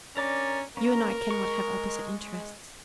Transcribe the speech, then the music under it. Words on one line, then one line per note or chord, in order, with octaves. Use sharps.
You and I cannot have opposite interests.
C#4 D4 A#4 D5 A#5 D6
A#3 C#4 A#4 B4 F5 A#5
G#3 C#6